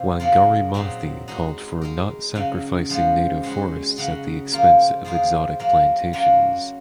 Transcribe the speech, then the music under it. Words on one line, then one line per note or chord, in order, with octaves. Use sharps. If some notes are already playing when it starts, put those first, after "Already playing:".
Wangari Maathai called for "not sacrificing native forests at the expense of exotic plantations".
Already playing: C3 F3
C#3 F#3 A#3 C#4 F4
A#2 F#3 C4 D#4
G#3 D#4 F#4
G#3 D#4 A#4
C#3 F#3 C#4
F3 G#3 C#4 F#4
G#3 C#4 F#4
C#3 F#3 C#4 F#4
F3 A#3 F4 A#4
F3 A#3 F4 G#4
F#3 A#3 F4
F#3 A#3 C#4 F4